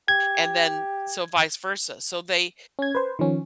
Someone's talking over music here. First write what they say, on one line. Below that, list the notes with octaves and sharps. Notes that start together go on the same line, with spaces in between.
and then, so vice versa, so they
G4 G#6
C#4 G#6
B4 C5
D#3 F3 C#4